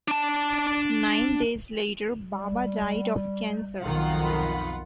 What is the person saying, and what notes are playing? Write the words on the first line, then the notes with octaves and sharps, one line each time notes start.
Nine days later, Baba died of cancer.
D4 A5
G3
B1 F2 D#3 F4 F#5
B5